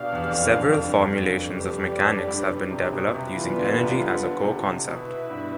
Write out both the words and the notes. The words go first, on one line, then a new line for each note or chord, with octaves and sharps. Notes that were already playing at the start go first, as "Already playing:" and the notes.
Several formulations of mechanics have been developed using energy as a core concept.
Already playing: B2 D4 G4 D5 F5
E2
F2
G2
F2
F2
G2
G2
F2 G3 D4 G4 B4 D5
G2
C3
B2
C3 G3 B3 F4 B4
E3
D3
C3
D3
C3
B2 B3 E4 B4 E5
G2